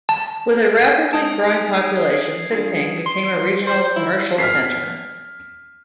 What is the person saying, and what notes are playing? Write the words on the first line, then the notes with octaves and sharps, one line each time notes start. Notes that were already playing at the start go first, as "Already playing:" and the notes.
With a rapidly growing population, Siping became a regional commercial center.
A5
G#2 A5 D#6 G#6 D7
C7
G2 F4 G#4 D5
C6
C5
E4
F6 B6 C7